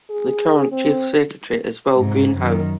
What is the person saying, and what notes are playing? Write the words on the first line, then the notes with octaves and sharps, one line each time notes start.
The current Chief Secretary is Will Greenhow.
G#4
C4
G#2 C3
F#2 D#3